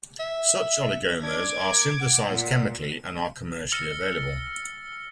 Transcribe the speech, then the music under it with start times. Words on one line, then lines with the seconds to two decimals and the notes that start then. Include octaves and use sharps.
Such oligomers are synthesized chemically and are commercially available.
0.19 E5
1.23 D4 D6 G#6
1.59 A#4
2.00 F#5
2.29 A#2
3.72 E6 F6 A6 A#6 C#7 G7